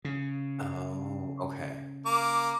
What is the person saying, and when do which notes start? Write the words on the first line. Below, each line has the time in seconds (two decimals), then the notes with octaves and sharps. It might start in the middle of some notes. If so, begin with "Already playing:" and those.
Oh, okay.
0.05 C#3
2.06 A#3 D6